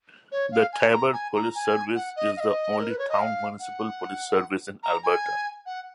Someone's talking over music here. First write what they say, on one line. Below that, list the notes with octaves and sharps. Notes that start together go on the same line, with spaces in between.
The Taber Police Service is the only town municipal police service in Alberta.
C#5
F5
G#5
A#5
G#5
A#5
G#5
F#5
D#5
F5
D#5
A#4
B4
C#5
D#5
F5
F#5
A#5
G#5
F#5